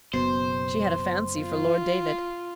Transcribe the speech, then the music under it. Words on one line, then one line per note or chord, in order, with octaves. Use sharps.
She had a fancy for Lord David.
F#1 B2 C5
F4